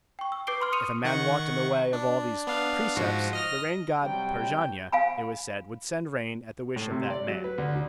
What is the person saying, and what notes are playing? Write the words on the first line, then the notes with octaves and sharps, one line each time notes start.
If a man walked in the way of all these precepts, the rain-god Parjanya, it was said, would send rain at the wish of that man.
G5 C#6
E6
B4 D6 G6 C7 D7 G7
B5 C6 F6
C#6 D#6 F6 C#7 D#7 F7
D#3 F#5 C#6
D4
B3 D4 F5
G#2 F3 F#4
D#5 F6 A#6
C3 F#3 G3 G5
F5 G#5 B5
A2
C3
D5
F#3
B4
D2
D2